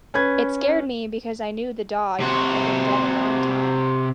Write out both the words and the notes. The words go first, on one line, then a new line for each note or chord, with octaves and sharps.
It scared me because I knew the dog had been dead a long time.
C#4 B4 G#6
C3 F#4